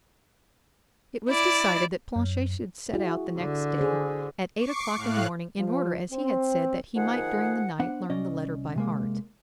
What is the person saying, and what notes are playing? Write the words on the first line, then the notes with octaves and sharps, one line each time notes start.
It was decided that Planchet should set out the next day, at eight o'clock in the morning, in order, as he had said, that he might during the night learn the letter by heart.
E4 D5
F#2
E4 F#4 G#4
D3
G#4 C5
C#6 D6 C7
A2 F5 F#6
F3
C4
D#3 F3 G#4 F#5
B3 D4 C5 F#5
C2 C#4 D5 D#5
C3 G#3 A#3